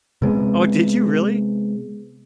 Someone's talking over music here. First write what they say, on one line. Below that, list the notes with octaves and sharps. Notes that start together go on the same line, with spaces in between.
Oh, did you really?
C3 G#3 B3